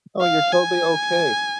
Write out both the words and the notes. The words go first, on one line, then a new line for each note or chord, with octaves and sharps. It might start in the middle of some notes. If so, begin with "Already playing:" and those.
Oh, you're totally okay.
F5
G#5